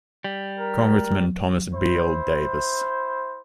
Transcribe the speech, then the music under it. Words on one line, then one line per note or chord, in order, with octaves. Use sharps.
Congressman Thomas Beall Davis.
G3
A#4
E4 C5